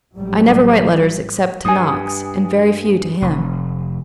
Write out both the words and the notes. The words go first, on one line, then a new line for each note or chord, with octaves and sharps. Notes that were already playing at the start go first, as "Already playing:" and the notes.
I never write letters except to Knox, and very few to him.
A1 F#3 G3
G2 G#5 D#6
F1